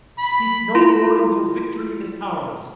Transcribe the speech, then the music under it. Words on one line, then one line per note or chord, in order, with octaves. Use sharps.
We speak no more until victory is ours!
B5
E4 F4 B5 C6